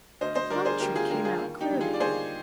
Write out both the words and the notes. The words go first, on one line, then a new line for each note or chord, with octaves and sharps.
The plum tree came out clearly.
D2 C5 D#5
C5 D#5
D3 G3 A#4 D5
G#4 C5
D2 G4 A#4
F4 G#4
D3 G3 G4 A#4
F4 G#4
D#2
D#4 G4
D3 G3
F4 G#4
D5
D#2 G#4 C5